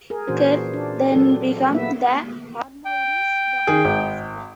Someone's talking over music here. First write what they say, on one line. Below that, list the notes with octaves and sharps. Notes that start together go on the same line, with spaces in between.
Kerr then became the Armoury's dominant figure.
G#4 A#4
A#2 E3 C#4 D4 F#4 C5
D4
F#3 C4 A4
A#3 B3 E5
G5
D#3 G#4
G#1